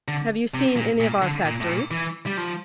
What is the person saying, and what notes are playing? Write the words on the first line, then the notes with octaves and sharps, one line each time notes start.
Have you seen any of our factories?
D3
C3
A#2
A#2
D3
A#2
A2
A#2
E3
G3
F3